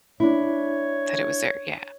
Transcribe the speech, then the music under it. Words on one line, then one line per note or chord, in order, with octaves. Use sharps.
That it was there. Yeah.
D4 E4 C#5